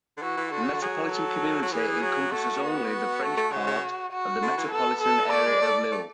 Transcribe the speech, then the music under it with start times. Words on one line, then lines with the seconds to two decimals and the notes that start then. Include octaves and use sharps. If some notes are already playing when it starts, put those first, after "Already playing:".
The Metropolitan community encompasses only the French part of the metropolitan area of Lille.
0.17 D3
0.22 E3 F#4
0.37 E3
0.52 D3 F#4
0.62 C#3
0.72 D3
0.82 F#3 G#4
1.12 A4
1.62 F#3
1.72 E3 G#4
2.02 F#3
2.32 A3 F#4
2.62 B3
2.92 F#4
3.22 A3
3.37 A3
3.52 C#3 F#4
3.67 C#3
4.13 F#4
4.43 D3
4.57 E3
4.72 B3 A4
5.01 A4
5.32 A3 D5
5.47 G#3
5.62 A3
5.92 A3